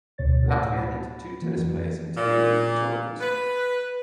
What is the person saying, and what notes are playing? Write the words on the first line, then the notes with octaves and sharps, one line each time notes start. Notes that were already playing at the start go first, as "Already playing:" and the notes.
Latvia entered two tennis players into the Olympic tournament.
D2 B2 C#5 A6
A2 F#5 A5 A#6
B5 A6
E3 A#3 F#4
F2
E3
A#2
B4